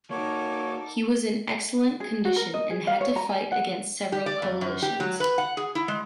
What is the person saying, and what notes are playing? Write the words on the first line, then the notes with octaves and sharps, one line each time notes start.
He was in excellent condition and had to fight against several coalitions.
A#3 D#4 F#4 A4 A#4 C#5 D6
G#4
F#4
A#4
D#5
G#4
F5
C#5
A#5
G#5
F#5
G4
D5
F2
F#2
G4
F#3
B4
F#5
G#4
E4
G#3